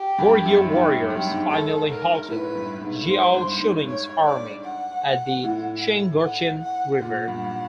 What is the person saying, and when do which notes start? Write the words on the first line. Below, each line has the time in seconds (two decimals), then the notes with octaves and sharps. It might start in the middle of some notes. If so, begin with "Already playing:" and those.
Goryeo warriors finally halted Xiao Sunning's army at the Cheongcheon River.
Already playing: G4
0.18 G2
0.46 F#2
0.71 G#2 G4
0.91 F#2
1.10 G2 G4
1.31 G#2
1.50 A4
1.90 A#4
2.29 A2 B4
2.55 G2
2.82 G#2
3.07 G#2 C5
3.34 G2
3.59 G#2
3.86 C#5
4.26 D5
4.65 F#5
5.44 A2
6.23 F#5
6.62 F#5
7.01 A#2 F#5
7.28 G2